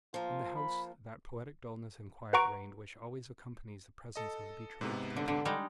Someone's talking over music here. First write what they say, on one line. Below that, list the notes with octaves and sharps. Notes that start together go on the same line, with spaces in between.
In the house that poetic dullness and quiet reigned which always accompanies the presence of a betrothed couple.
F3 A#3 F4
B5
B4 F#5 A#5 C#6 D7
A4 D#5
G#2 C3 B3
D3
D3
G3 G#3 D#4